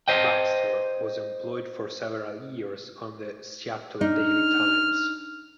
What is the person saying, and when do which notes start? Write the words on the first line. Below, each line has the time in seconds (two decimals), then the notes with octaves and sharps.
Baxter was employed for several years on the "Seattle Daily Times".
0.08 C5 D#5 G5
4.01 D4 D#4 F6